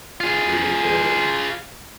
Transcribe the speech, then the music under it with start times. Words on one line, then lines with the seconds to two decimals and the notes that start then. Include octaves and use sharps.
create the
0.20 F4 G#4